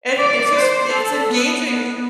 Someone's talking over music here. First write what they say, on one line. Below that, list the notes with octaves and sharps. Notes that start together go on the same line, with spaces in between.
And it's just it's engaging,
D5
C5
A4
B3
B3